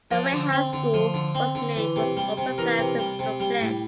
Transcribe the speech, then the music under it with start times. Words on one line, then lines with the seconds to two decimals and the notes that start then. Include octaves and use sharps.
The Warehouse School was named for its open-plan physical plant.
0.11 F3 D5
0.32 D3
0.52 C4
0.73 D3
0.94 F3
1.14 D3
1.35 C4
1.55 D3
1.76 E3
1.96 C3
2.17 G3
2.38 C3
2.58 E3 A#4
2.78 C3
2.99 G3
3.19 C3
3.40 G3
3.60 A2